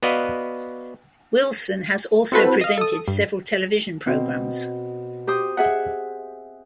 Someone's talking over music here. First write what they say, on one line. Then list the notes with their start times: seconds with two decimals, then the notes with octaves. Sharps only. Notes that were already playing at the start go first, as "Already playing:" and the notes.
Wilson has also presented several television programmes.
0.03 B3 F#4 B4 D5 D#5 F5
2.32 C4 E4 F#4 A4 B4 C5
2.61 D#5 F5
2.78 A4 D#6
3.08 G2
4.06 B2 C4
5.27 G4 C5 D#6
5.57 G#4 E5 F#5